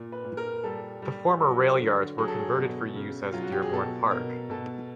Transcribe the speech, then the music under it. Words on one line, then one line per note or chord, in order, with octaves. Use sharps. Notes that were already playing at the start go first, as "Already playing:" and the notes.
The former rail yards were converted for use as Dearborn Park.
Already playing: A#2
B4
A#2
A#4
G3 A4
G3
F#3
D3
F#3 G#4
A4
G#4
B2
C#3
F#3 F4
F#4
G4
G#4
B2 A4
B2 A#4
B2 A4